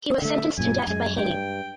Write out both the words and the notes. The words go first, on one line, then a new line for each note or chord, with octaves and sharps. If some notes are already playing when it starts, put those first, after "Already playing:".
He was sentenced to death by hanging.
D3 A3 E5
F#2 A#2 G#5
F#2 G#3 G#5
G2 G5